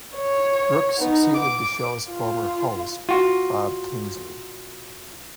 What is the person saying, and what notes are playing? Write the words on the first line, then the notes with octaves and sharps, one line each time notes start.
Brooks succeeded the show's former host, Bob Kingsley.
C#5
B3 D#4
D6
F4
F4 F#4